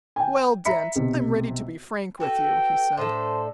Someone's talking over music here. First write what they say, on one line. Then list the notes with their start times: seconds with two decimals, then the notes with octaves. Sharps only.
"Well, Dent, I'm ready to be frank with you," he said.
0.16 G5 G#5
0.65 E5 A#5 B5 B6 C#7
0.95 B1 C3
2.20 F#4 A4 B4 G5
2.98 A2 D4 A4 C5